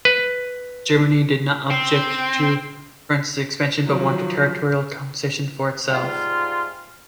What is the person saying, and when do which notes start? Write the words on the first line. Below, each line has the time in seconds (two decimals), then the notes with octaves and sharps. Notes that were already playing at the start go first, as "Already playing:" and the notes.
Germany did not object to France's expansion, but wanted territorial compensation for itself.
0.05 B4
1.70 C4
3.85 D#3 F3 F#3
5.92 G#2 G3 F4